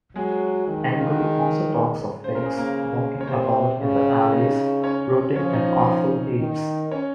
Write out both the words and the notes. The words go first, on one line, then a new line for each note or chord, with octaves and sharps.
Engels also talks of "pigs walking about in the alleys, rooting in offal heaps".
F#3 G#3 G#4
D#3
F4
F#4
G#3 G#4
C#3 C5
A#4
G#4
A#3 A#4
C#5
C3 C4 C5
C#3
D#4 D#5
C#4 C#5
F3 C#4 C#5
D#4 D#5
D#4 D#5
D#3
C#4 C#5